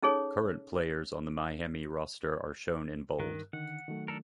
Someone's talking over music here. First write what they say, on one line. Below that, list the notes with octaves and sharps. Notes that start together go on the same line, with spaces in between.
Current players on the Miami roster are shown in bold.
C#4 D#4 G#4 A4 C#5
G2 D#3 A#4 F#6
D3 D#3 F#5
D#3 F#3 A3
D4 A4 A#4